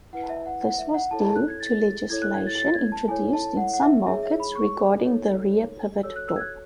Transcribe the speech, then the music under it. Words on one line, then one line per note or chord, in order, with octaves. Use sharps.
This was due to legislation introduced in some markets regarding the rear pivot door.
E4 B4 F#5
E5
F#5
F#5
E5
F#5
E4 A4 C#5 A5
A5
F#6
G#6
A6
E4 A4 C#5 G#6
F#6
G#6
A6
A6
G#6
A5
E4 A4 C#5 G#5
A5
F#5
F#5
E5
D#4 G#4 C#5 E5
E5
B5
C#6
D#4 A4 C#5
F#4 A4 C#5 E6
F#6
E6
G#6
F#6